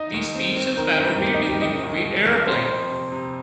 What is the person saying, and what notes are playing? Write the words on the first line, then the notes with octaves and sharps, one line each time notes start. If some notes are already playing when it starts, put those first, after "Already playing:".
The speech is parodied in the movie Airplane!
Already playing: D#4 D#5
D#2
C4
C4
D#3 A#4
G2
D#3 G4
D#4
D#3
G4
D#3 D#5
D#2
D#2
D#2
F2 C5
F2
C3
C3